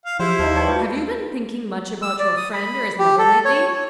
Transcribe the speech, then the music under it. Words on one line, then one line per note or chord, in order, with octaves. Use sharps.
"Have you been thinking much about your friend or his mother lately?"
F5
F3 E4 G4 G#4 C5 E5
D#2 F3 D#4
B4 C#5 D5 G5 A5 B5
G2 A3 F4 F#4
E6
D5
D#6
B5
G4
A4
C#5
C#5